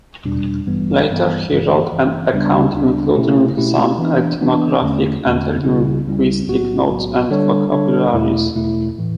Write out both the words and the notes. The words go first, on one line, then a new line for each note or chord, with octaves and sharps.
Later he wrote an account including some ethnographic and linguistic notes and vocabularies.
E2 B2 G3 D4
A1 G2 E3 G3 B3
A1 G2 E3 G3 B3
G1 G2 E3
G1 G2 E3
D2 C#3 G3 B3 D4
D2 C#3 G3 B3 D4
B2 A3 C#4 E4 G4
B2 A3 C#4 E4 G4
E3 B3 D4
E3 B3 D4
E2 D3 A3 C#4
E2 D3 A3 C#4
C#2 C#3 G3 C#4 E4
C#2 C#3 G3 C#4 E4
B1 A2 F#3 B3 F#4
B1 A2 F#3 B3 F#4
D3 G3 D4 A4 C#5
D3 G3 D4 A4 C#5
E2 B2 A3 E4
E2 B2 A3 E4
A2 E3